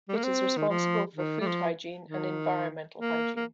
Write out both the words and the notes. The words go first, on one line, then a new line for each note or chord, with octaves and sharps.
It is responsible for food hygiene and environmental hygiene.
G3
A#3
C4
D#3
F3
D#3
G3
F3
D#3
A#3
A#3